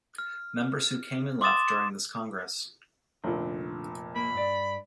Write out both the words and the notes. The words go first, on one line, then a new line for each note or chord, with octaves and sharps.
Members who came and left during this Congress.
F6
C6 D6 D#6 A6 E7
F1 A#2 D3
A#3 B5
G2 D5